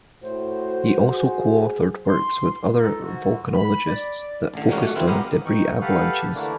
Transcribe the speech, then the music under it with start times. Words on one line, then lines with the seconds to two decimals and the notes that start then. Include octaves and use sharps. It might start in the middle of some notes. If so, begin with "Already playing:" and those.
He also coauthored works with other volcanologists that focused on debris avalanches.
0.22 A2 F#4 C5
1.12 G#4
2.06 C6
2.77 C#2 D#4 A4
3.02 G#2 D3 F#4
3.54 B5
3.87 D5
4.54 A1 D3
4.69 C3 F#3 G#3 A#3 C#4 F#4
4.83 A3 F#5
4.95 D#3 C4 E4 F4
5.07 B3 G4 A#4 C5
5.45 D#4 G5 C#6
5.81 G4 A4 B4 F5 F#5
6.35 D3 E3 A3 A#3 D4 E4